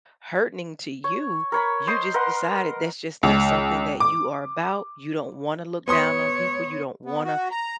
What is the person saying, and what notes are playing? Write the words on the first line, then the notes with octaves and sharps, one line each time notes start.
hurting to you, you just decided that's just not something that you are about, you don't wanna look down on people, you don't wanna,
C#5
A#4 C#5 B5
C5 D#5 C6
A#4 B4 F#5 C6
C#2
D6
B3 C#5 C6 D#6
B3
F#4
A#5